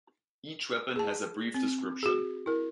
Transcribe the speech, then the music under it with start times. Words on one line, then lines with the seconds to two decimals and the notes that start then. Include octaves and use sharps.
Each weapon has a brief description.
0.96 G#4 A5
1.54 C4
2.03 F#4 G#4
2.46 E4 A#4